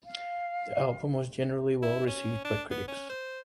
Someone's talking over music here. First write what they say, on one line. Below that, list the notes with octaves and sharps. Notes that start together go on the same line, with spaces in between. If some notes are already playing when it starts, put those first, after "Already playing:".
The album was generally well received by critics.
F5
E4
C#4
D4
B3
C#4
C5